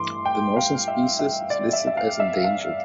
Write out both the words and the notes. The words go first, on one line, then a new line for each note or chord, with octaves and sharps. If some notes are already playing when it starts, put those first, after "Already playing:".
The northern species is listed as endangered.
Already playing: G2 E3 A3 C6 D6
G5
F5
E5
E5
D5
E5
E5
F5
E5
F5